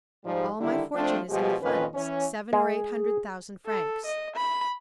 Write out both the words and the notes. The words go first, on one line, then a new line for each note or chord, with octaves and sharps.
"All my fortune is in the funds; seven or eight hundred thousand francs."
G#2 F3 G3
D3 D#3 G3 E4
F3 A3 C4 D4
B2 F3 G#3 G4
F2 A#2 D#3 C#4 B4 D#5
E3 C#4 C#5
G#3 G#4
A4
D#5
B5